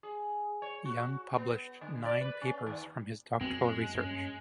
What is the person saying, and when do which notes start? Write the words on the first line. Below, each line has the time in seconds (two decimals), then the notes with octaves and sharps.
Young published nine papers from his doctoral research.
0.03 G#4
0.62 C#5
0.85 F#4
1.38 B3
1.81 D3
2.05 D5
2.21 B4
2.41 C#4
2.67 D#2
3.41 F#2 F#3 G#3 A#3 C4
3.95 G2 C#4